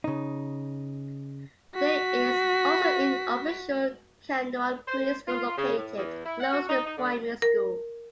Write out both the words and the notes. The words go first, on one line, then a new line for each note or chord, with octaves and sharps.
There is also an official Canouan Pre-school located close to the primary school.
C#3 D#4
F#4 B6
C5
F4
C#3
A2
E2
E4
F#5
F#4
D#4
D#4
D3
A#4